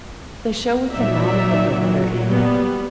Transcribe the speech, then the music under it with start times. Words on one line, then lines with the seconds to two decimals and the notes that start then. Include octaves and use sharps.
the show with the mom and the daughter in it.
0.91 A#2 F#3 D#4 D5 E5
2.28 G3 B3